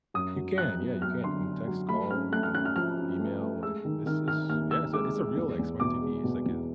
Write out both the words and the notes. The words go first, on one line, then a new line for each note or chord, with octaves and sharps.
You can, yeah, you can. You can text, call, you can email, like, this is yeah, it's a it's a real, like, smart TV. It's like a
F#2 D#6
F#3
F#3 F#6
B3
F#3 F6
D3 C6
D3
F#3
A3 B5
C#4 F6
A3 F#6
F6
C#4 F#6
F6
F3 F6
C#4
A3
A3
G#3 E6
D#3
D#3 F6
D#3 F6
D#2 F6
D#2 E6
G#3 D6
G#3
E2
E2
B2 D6
G#3
B2
E2